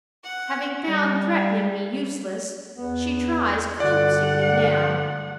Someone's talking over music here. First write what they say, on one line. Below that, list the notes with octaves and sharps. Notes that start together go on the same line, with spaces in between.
Having found threatening me useless, she tries coaxing me now.
F#5
G3
E2 B3
G2 D3 D5 F#5